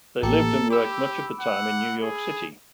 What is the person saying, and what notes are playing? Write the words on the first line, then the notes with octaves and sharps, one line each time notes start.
They lived and worked much of the time in New York City.
A1 A#3 G4 A4 C#7
G4 B5 D6 E6
F#5
G#4